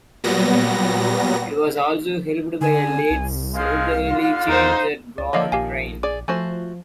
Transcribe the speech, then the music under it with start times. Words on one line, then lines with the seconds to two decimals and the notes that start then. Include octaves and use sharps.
It was also helped by a late Southerly Change that brought rain.
0.24 A#2 F#3 G3 B3 A#6
2.61 D3 G#5
3.10 C2
3.54 F3 G#3 F5
4.10 D3 F4
4.48 E2 D#4 C5
5.18 C#2 D5
5.33 D3 D#3 F3 A#3 C#5 D#5 F5
5.52 A#1 G4 F5 G#5
6.03 G#4 D5 D6
6.28 F3 A3 F#4 C5 G#5